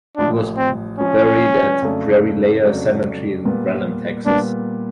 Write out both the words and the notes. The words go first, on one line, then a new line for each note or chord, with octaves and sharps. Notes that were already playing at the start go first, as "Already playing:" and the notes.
He was buried at Prairie Lea Cemetery in Brenham, Texas.
A1 A2 F3 D4
C4
A1 A2 F3 C#4
F2 C#3 F#3 A3 D4
F2 C#3 F#3 A3 D4
A#2 G3 B3
A#2 G3 B3 D4